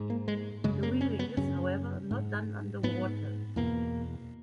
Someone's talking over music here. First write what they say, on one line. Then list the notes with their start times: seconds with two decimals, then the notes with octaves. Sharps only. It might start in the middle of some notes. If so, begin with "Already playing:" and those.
The weaving is, however, not done under water.
Already playing: G#2
0.10 A#3
0.28 G#3
0.64 F#2 C#3 G#3
0.83 A#3
1.01 C#4
1.19 B3
1.37 F#2 C#3 C#4
2.11 G#2
2.83 G#2 B3
3.56 E2 B2 A#3